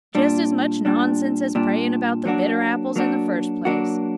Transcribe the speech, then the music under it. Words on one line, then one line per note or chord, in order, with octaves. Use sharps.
"Just as much nonsense as praying about the bitter apples in the first place."
A#2 G3 D4
A#2 G3 D4
A#2 G3 D4
F#3 A#3 D4 F#4
F#3 A#3 D4 F#4
F#3 A#3 D4 F#4